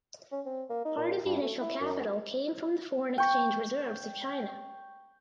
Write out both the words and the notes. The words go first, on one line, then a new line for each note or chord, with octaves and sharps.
Part of the initial capital came from the foreign exchange reserves of China.
C#4
C4
A#3
D#4
A#2
G2
A3
E4
F#2
G5 C#6